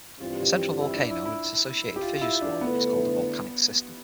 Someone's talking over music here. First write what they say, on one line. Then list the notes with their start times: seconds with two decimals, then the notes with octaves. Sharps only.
A central volcano and its associated fissure swarm is called a volcanic system.
0.20 G2 E3 G3 C4 F4 G4
0.81 E4
0.95 D4
1.10 E4
1.26 E4
1.96 G4
2.02 F4
2.17 F4
2.21 E4
2.41 D4
2.61 D3 A3 B3 E4 B4